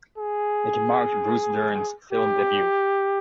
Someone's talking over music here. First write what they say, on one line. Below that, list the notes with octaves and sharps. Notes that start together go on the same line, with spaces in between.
It marked Bruce Dern's film debut.
G#4
G4